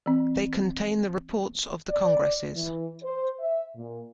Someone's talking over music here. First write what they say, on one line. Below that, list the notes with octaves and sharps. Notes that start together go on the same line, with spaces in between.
They contain the reports of the congresses.
E3 C4
D5
E3
C5
E5
A#2